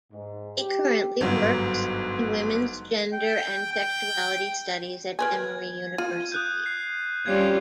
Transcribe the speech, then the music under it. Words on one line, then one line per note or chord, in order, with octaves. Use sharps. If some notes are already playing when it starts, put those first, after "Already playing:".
He currently works in Women's, Gender and Sexuality Studies at Emory University.
G#2
G4
G1 G#2 F#3
G5
G5
A#4 B4 G#5 G#6
F4 D#7
D#6 F#6 G6
C7
G3 C#4 F4 G#6 C7